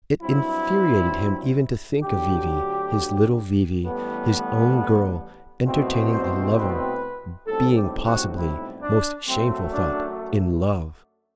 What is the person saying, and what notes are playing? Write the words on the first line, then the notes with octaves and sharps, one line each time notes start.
It infuriated him even to think of V.V., his little V.V., his own girl, entertaining a lover, being possibly--most shameful thought--IN LOVE!
G2 F#3 C4 E4
D2 D3 F#3 G4
A1 A2 G3 B3
C2 B2 A3 C4
C5
B4
B1 A2 G3 C4 A4
G4
F#4
E4
D4
F#2 F#3 A3 C4
D4